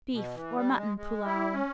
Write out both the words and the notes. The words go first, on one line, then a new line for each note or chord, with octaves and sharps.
Beef or Mutton Pullao.
B2
E3
G3
G#3
G#3
E4
C#4